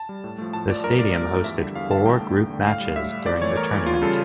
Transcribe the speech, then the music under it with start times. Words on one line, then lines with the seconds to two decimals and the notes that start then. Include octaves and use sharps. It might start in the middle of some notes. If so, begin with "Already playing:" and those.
The stadium hosted four Group matches during the tournament.
Already playing: A5
0.09 G3
0.24 A2
0.38 F3 A3
0.53 A2 A5
0.69 F3 A3 D5
0.84 G2 A#4
0.99 F3 A3 D5
1.15 G2
1.30 F3 A3
1.44 E2 E5
1.60 D3 G3
1.75 E2 F5
1.91 D3 G3 A5
2.05 E2 G5
2.20 D3 A3
2.36 E2
2.50 D3 A3
2.65 A2 F5
2.81 G3
2.96 A2 E5
3.12 G3
3.26 E2 D5
3.41 E3 A3 C#5
3.56 E2 A#4
3.71 E3 A3
3.86 E2 F4
4.02 C#3 G3 A4